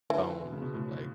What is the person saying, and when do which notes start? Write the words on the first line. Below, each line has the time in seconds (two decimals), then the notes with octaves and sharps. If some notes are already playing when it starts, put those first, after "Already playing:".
bones of, like,
0.10 D3 E3
0.42 B2
0.52 C#3
0.62 B2
0.74 A2